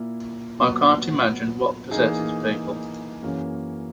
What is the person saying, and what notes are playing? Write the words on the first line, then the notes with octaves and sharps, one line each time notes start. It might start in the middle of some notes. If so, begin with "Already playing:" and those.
I can't imagine what possesses people.
Already playing: A#2 A#3 E4
A#2 F#3 B3 F#4
E3 A#3 D#4 G#4
F#2 E3 A#3 C#4 G#4